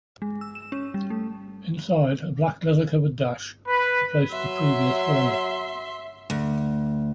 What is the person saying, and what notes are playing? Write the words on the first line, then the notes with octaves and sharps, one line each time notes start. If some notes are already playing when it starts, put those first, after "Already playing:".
Inside, a black leather-covered dash replaced the previous walnut.
G#3
E6
E7
C#4
G3
A3
B4
F#3 E5 C6
D2